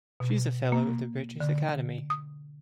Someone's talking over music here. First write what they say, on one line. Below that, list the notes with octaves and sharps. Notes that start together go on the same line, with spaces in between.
She is a Fellow of the British Academy.
B2
A#3
D3
D#6